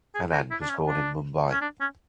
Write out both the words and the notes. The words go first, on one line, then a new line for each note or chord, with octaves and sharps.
Anand was born in Mumbai.
G#4
F#4
E4
D4
C#4
D4
C#4
D4
C#4